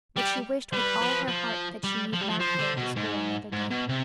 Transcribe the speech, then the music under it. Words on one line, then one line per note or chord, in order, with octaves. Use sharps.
But she wished with all her heart that she need not go to school another day.
G3 G4
G3 B4
F3
F3
G3
F3
G3
F3
F3 C5
D3
B2
G#2
G#2
B2
C3